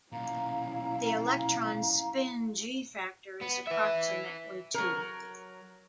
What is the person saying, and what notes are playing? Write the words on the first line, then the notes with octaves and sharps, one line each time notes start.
The electron spin g-factor is approximately two.
B1 A#2 C#4 E4 F5 A#5
B3
B4 E5
F#3 A#4